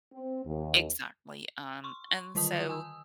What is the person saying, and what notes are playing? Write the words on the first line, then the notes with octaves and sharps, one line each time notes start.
exactly, um, and so,
C4
D#2
C6 C#6
D3 D#3 F4 D#5 A5 D#6
G#5 D#6 E6